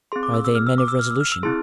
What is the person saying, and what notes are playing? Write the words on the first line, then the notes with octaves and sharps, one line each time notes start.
"Are they men of resolution?"
C4 G#4 C6
D6
E6
E6
F6
E6
D6
E6
F6
E6
F6
E6
C4 E4 G#4 C6